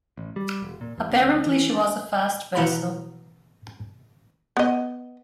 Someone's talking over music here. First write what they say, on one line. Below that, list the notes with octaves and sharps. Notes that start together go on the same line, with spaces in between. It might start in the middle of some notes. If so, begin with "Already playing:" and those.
Apparently she was a fast vessel.
A1
G3
E1
A#2
E2
D2
E3
D4
B2 E3 E4 F#5 A#5 B5
B3 D#5